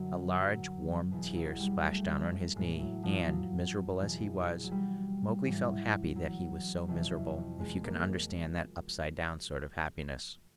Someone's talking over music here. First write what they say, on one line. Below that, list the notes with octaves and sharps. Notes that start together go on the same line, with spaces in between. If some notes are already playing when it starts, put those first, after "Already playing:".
A large, warm tear splashed down on his knee, and, miserable as he was, Mowgli felt happy that he was so miserable, if you can understand that upside-down sort of happiness.
Already playing: F#2 D3 F#3
F#3
E2 B2
F#3
G3
A3
A2 E3 G#3
F#3
F3
F#3
E2 B2
F#3
G3
G#2 E3 F#3
F#3
F2 C3 E3
G#3
A#3